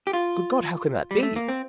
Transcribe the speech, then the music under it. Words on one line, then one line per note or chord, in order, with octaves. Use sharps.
Good God! how can that be?
G4
F4
G3
A3
A#3
C4